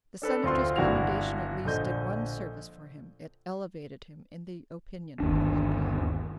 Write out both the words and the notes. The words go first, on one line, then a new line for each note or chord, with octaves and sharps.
The Senator's commendation at least did one service for him, it elevated him in the opinion of Hawkeye.
D4 A4 B4
D2 C4 F4 C6
G1 D4 E4 F#4 F7
A#1 D3 D#5 G6
G1 D#2 D4